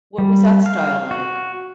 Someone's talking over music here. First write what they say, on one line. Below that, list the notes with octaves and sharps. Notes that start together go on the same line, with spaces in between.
what was that style like?
G3
F5
F#4